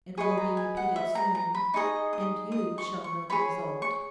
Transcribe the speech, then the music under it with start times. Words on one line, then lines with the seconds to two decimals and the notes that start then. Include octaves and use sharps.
It will be repeated soon, and you shall know the result.
0.17 G#4 B4 D#5 C#6
0.37 A#5
0.57 G#5
0.77 F#5
0.96 E5
1.15 A#5
1.35 A#5
1.55 B5
1.74 D#4 G#4 D#5 C#6
2.13 D#6
2.52 D#6
2.78 C#6
3.04 C#6
3.30 G#4 C#5 B5
3.82 C#6